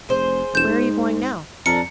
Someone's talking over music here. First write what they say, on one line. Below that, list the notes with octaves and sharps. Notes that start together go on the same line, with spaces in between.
'But where are you going now?
F1 G#4 C5
E1 G6 E7
G#2
F2 D4 A4 A#4 C#7